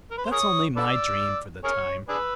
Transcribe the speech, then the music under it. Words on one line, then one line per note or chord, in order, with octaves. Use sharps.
That's only my dream for the time.
A#4
B4
C5
G#4 A#4 C#5 D#6
A4 B4 D5 E6
G#4 A#4 C#5 F6
D4 G#4 B4 E6